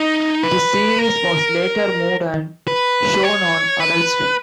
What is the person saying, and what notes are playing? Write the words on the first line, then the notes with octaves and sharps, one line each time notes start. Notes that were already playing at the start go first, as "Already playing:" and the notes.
This series was later moved and shown on Adult Swim.
Already playing: D#4
B4
A#4
B4
C#5
B4